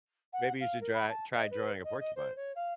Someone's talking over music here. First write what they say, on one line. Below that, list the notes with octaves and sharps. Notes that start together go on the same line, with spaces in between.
Maybe you should dry try drawing a porcupine,
F#5
F5
A#4
B5
A5
D#5
B4
D#5
D#5
C5
C#5
F5